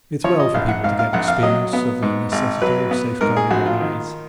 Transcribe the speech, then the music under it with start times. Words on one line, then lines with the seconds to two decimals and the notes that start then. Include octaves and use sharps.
It's well for people to get experience of the necessity of safeguarding their eyes.
0.24 F3 C#5
0.39 D#5
0.54 A#1 F5
0.69 F#5
0.83 G#2 F5
0.99 F5
1.13 A#1 F#5
1.28 F5
1.43 F#3 D#5
1.73 B3
2.03 G#2
2.32 G#1
2.62 F#3 B4
2.91 B3
3.21 G#2 A#4
3.37 G#4
3.51 A#1 F#4
3.65 F4
3.81 D#3